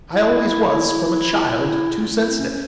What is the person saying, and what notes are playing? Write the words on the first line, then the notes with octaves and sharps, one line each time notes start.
I always was, from a child, too sensitive.'
E4
E4
F4
E4
F4
F4
E4
C4
C#4
C#4